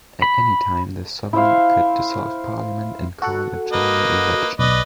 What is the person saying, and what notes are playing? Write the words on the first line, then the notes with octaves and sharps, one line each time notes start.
At any time the Sovereign could dissolve parliament and call a general election.
B5
E4 C5 E5 F5
F#4 A4 F#5
A#3 B4 D#5
B1 B4 D5 D#5